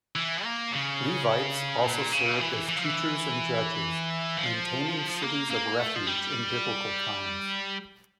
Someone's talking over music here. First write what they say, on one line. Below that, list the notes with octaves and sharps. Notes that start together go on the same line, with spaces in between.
Levites also served as teachers and judges, maintaining cities of refuge in Biblical times.
E3
A#3
C#3
A#2
C#3
E3
E3
F3
E3
F3
A#3
A#3
A3
F3
G3